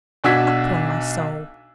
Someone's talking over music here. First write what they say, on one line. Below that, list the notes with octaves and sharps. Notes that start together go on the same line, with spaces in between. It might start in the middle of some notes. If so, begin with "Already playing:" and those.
Upon my soul!
B1 D4 F#4 E6 G#6 B6